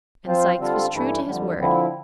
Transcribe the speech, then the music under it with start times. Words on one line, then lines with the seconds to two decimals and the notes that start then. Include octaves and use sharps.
And Sikes was true to his word.
0.26 F3 C4 F4 C5
0.59 D3 G3 C4 F4 A4
0.93 G2 E3 A3 E4
1.26 F2 D3 G3
1.60 D3 F3 C4 E4